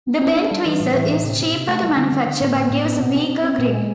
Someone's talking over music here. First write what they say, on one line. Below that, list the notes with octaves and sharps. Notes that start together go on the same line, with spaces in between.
The bent tweezer is cheaper to manufacture, but gives weaker grip.
B3
D4
D4
G3
E3
A2
E3
A2
C3
C3
C3
A3
G3
D3
D3
D3
A2
B3
A2
B3
B2
C4
C4
C4
A#2
G#3